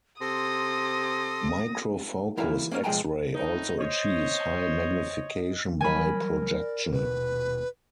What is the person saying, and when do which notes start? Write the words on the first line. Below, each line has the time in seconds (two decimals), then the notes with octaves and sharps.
Microfocus X-ray also achieves high magnification by projection.
0.21 C3 A4 C6 D#6 A#6
2.37 E3 A#3 E4 A#4 F5 A#5
2.71 A#3 C#4 E4 A#4
2.84 B1 F3 G#3 G5 G#5 A#5
3.33 A2 D#4
3.79 C5 C#5 D#5
5.81 E3 F#3 G3 A#4 G#5 B5
6.59 D5
6.91 D#1 B2 B4